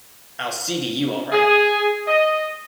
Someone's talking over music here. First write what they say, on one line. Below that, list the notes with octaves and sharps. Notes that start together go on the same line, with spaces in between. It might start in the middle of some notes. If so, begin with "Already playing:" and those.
I'll see to you all right.
G#4
D#5